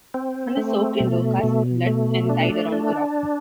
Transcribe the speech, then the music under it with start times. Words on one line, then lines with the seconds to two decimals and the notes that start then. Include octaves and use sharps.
One is soaked in Dorcas' blood and tied around a rock.
0.14 C4
0.57 A3
1.00 B2
1.43 B2
1.86 A3
2.29 D4
2.72 D4